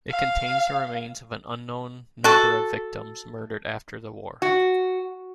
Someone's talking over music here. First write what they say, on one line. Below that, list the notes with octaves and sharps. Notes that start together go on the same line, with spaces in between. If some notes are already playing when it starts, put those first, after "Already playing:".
It contains the remains of an unknown number of victims murdered after the war.
F5
F#4 A4
F#4